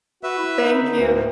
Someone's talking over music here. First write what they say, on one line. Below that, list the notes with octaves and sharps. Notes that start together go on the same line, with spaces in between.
Thank you.
F#4 B4 E5
E4
D#4
D3
D2
A2